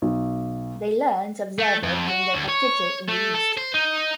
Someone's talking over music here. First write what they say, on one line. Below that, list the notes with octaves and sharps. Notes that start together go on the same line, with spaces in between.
They learned to observe it during their captivity in the East.
B1
A3
F2
F#4
D2
C#5
A3
A4
C5
D#4